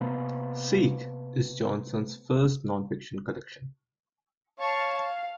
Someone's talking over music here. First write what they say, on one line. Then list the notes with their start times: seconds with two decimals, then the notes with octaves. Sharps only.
"Seek" is Johnson's first nonfiction collection.
0.01 C3 A#3 B3
4.60 C#5 F5 A5 C#6
4.98 F5